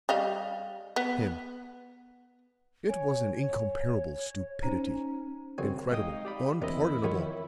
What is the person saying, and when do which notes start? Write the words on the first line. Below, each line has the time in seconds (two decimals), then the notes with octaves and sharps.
HIM: It was an incomparable stupidity--incredible, unpardonable.
0.09 G3 D#5 F5
0.96 B3
2.89 C#5 G#5
3.40 C#5
4.63 C#4 D#4 C5 A#5
5.58 F#2 C#3 C4 G#5
5.92 G#3 D#4 D#5 F5 G5 D#6
6.25 G4 D5 B5
6.62 E2 C4 D4 E4 A#4 D#5
7.04 F2 D#3 F4 C#5